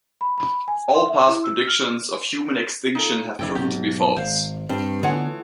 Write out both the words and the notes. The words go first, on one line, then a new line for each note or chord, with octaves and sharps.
All past predictions of human extinction have proven to be false.
B5
B5
G#5
C6
E5
E4
E6
F6
D#4 F4 A4
F#1 F2 D4 E4 G5
B1 G#2 G4
G#1 C5 F5
G2 C4
D3 E3 A3 B3 F4 G#4 C#5 F#5